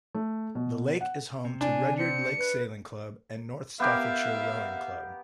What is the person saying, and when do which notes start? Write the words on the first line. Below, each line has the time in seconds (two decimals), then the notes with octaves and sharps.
The lake is home to Rudyard Lake Sailing Club and North Staffordshire Rowing Club.
0.15 A3
0.55 B2
1.01 F#5
1.45 C3
1.61 D4 G#5
1.98 C4 C#7
2.38 B4
3.80 B3 G4 A#4 E5 F5